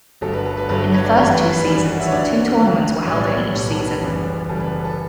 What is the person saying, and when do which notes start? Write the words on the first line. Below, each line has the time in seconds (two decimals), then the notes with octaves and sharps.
In the first two seasons, two tournaments were held in each season.
0.21 G1 G2 F#3 A3 A4
0.33 B4
0.46 A4
0.57 B4
0.69 G1 G2 F#3 A3 B4
0.81 B4
0.92 C#5
1.05 D5
1.17 F#2 E3 G3 C#5
1.32 B4
1.49 B4
1.64 F#2 E3 G3 B4
1.76 B4
1.88 F#5
2.00 E5
2.07 C#5
2.12 D2 D3 F#3 D5
2.60 D2 D3 F#3
3.07 B1 A2 G3 C#5
3.15 D5
3.24 C#5
3.53 B1 A2 G3 C#5
3.63 B4
3.71 A4
3.80 B4
4.01 F#1 F#2 C#3 E3 G3
4.49 F#1 F#2 C#3 E3 G3 A4
4.60 B4
4.85 A4